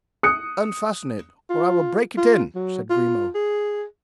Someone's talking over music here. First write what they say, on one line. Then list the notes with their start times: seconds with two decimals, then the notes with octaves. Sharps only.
"Unfasten it, or I will break it in!" said Grimaud.
0.23 D#6 F#6 C#7
1.50 F4
2.18 F4
2.55 F#3
2.90 F4
3.35 G#4